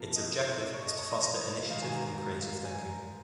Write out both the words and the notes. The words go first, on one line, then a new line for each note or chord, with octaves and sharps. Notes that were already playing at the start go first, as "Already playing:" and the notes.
Its objective is to foster initiative and creative thinking.
Already playing: F2 F3 A#3
D#5
C#5
D#5
C#5
D#5
D#5
G#2 D#3 G#3 F5
G#5
A#5
A#5
A#5
F5
G#5
A#5